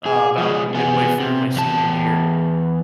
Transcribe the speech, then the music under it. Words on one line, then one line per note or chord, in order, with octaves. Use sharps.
uh, about midway through my senior year.
G#4
F3 G#3
B3 G#4
C3
E2 A5